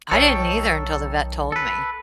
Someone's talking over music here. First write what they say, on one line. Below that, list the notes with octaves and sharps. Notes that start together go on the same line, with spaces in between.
I didn't either until the vet told me.
B1 D#3 A4 C#5 G5
A4 B4